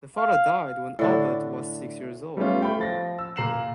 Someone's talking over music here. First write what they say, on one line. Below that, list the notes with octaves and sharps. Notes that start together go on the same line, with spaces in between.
The father died when Albert was six years old.
F5
A2 D3 D4
G3 A3 B3 C#4 F4
A3 G5 B5
F3 A6 A#6
E6
A#2 A#5 C7 E7 F#7